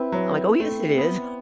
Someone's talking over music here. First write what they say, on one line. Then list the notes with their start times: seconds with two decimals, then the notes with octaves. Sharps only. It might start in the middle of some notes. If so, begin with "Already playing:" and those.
I'm like, "Oh, yes, it is."
Already playing: C4 E4 B4
0.12 F#3
0.60 A3
0.97 B3